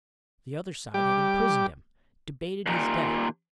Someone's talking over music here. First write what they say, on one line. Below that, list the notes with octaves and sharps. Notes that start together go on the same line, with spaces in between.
The other side had imprisoned him, debated his death.
G3 G4 D6
D#2 A#2